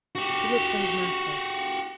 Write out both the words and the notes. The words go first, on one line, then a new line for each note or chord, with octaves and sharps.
He looked for his master.
F#4 G4